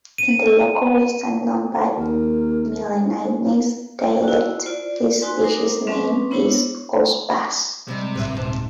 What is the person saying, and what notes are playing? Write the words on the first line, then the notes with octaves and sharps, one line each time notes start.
In the local Western Lombard Milanese dialect, this dish's name is "oss bus".
D#7
D#2 A#4
E4 F#4
F4 C5 D5
D#4 F#4 B4 G#5 C6
A#4 C5 A#5 D6 D#6
F#3 A#3 C4 C#4 B4 D6
B3 D4 E4 C5 C#5
C3 G3 G#3
A1 B4 E5
D#1 G#2 A5